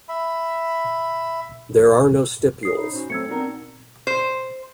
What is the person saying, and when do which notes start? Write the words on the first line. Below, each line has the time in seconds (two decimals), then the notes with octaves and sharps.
There are no stipules.
0.09 E5 B5
2.63 C#5 D#6 C7
2.77 D#4 B5
2.92 C#4 F#4 C5
3.10 F#3 A3 C4 E6 G#6 C#7
3.29 B3 C4 D4 D#4 F#4 A#4
4.07 C5